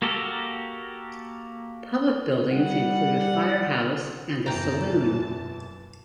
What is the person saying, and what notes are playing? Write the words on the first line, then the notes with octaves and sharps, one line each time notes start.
Public buildings include a fire house and a saloon.
A#3 F#4 G4 A4 A#4
G3 F#5
E1 F#2 B2 E3 G5 A5 A#5 A6